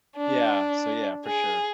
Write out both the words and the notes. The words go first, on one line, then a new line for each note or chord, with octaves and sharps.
Yeah, so, yeah, for sure.
D4
G#4